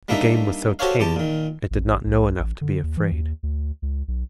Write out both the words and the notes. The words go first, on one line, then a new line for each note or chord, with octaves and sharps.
The game was so tame, it did not know enough to be afraid.
G3 A#3 D4 D#4 E5
F#4 G4 A4 C5 C#5 F5
E2 G4 A5
A#2 D#3
A1
B1
A1
D3
D#2
E3
D#2
D2
C#2
B1